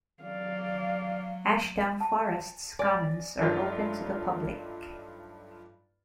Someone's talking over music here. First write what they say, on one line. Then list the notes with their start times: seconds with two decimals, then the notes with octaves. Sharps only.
Ashdown Forest's commons are open to the public.
0.23 F#3 D5 F5
2.01 A5
2.79 D5 G#5
3.38 G2 F#3 A3 D4 D#4 F4